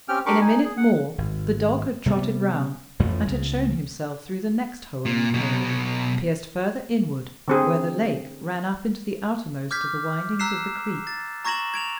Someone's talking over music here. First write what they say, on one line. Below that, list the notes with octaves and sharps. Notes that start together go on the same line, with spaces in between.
In a minute more, the dog had trotted round, and had shown himself through the next hole in the paling, pierced further inward where the lake ran up into the outermost of the windings of the creek.
C4 C#4 G4 G5 F6
D4 G4 A#4 B5 C#6 D6
D#4 G#5
G#4
F#5
G#1
C3 G3 B3
A1 F2 A2 F3
C#2 C#3
A#2
B2 F#3
D3 C4 G#4
D6 F6 G6 G#6 B6
A#5 E6 F#6 B6 C7 E7
A6
A#5 C#6 G#6 A#6 E7 F#7
G#6 D7 F7